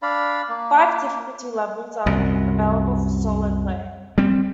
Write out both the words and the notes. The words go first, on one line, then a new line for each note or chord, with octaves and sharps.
Five difficulty levels are available for solo play.
D4 D5 F5 B5
A#3
C2 F#2
G3 C4